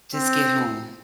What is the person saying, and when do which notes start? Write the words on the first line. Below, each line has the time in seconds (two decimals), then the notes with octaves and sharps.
Just get home.
0.14 C4